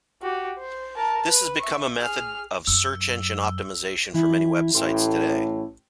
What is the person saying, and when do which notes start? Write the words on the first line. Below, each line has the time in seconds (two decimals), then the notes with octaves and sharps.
This has become a method of search engine optimization for many websites today.
0.22 F#4 G4
0.58 C5
0.97 A#4 A5
1.26 B4
1.60 E5 C#6
1.98 G#4 F6
2.67 F#2 E6
4.14 E3 E4
4.75 A1 A2 G5 C6